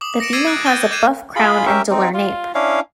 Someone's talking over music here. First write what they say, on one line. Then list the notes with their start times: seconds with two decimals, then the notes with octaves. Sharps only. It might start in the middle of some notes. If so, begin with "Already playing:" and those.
The female has a buff crown and duller nape.
0.01 D6 D#6 F#7
0.20 A#6 C#7 D7 E7
0.33 D6 E6 G#6 A6 C7 D#7
0.47 F#6 A6 C7 D7
0.65 F#6 G6 A6 D#7 E7 G7
0.91 D6 G6 G#6 C7 D#7 E7
1.36 F4 G#4 B5
1.66 C#4 G4 A#4 E5
1.90 C4 D#4
2.14 F4
2.55 C#4 D4 E4 F5